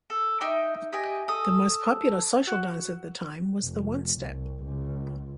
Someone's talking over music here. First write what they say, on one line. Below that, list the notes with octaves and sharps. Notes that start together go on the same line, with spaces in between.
The most popular social dance of the time was the One-Step.
A4
D#4 E5 G5 D6
G4 D#5 G5 G#5
A4 D#6
F#4
F1
C2
C#2